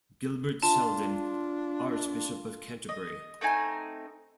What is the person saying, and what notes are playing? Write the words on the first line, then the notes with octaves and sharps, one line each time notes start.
Gilbert Sheldon, Archbishop of Canterbury.
D4 F4 A5
D#5
A3 C4 D#4 G#5